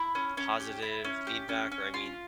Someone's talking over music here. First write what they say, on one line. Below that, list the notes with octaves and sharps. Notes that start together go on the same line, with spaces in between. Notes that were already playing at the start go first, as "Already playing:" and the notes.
positive feedback or, I mean
Already playing: E4
C#4
C#4
G4
E4
C#4
G4
C#4
C#4
F4